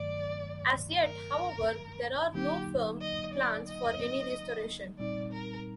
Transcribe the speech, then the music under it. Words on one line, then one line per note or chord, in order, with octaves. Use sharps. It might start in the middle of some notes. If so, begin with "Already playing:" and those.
As yet, however, there are no firm plans for any restoration.
Already playing: G2 D#3 F#3 A3 D5
A#4
D3 F#3 A#3 D#4 G4
D#5
D5
D#5
A#2 G3 C4 D#4 D5
A#4